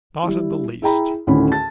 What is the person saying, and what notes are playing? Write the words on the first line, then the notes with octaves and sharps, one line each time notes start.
"Not in the least."
G3 E4
E4 G#4 G5 A#5 B5
D2 A2 D#3 C#4 B5
A5 A6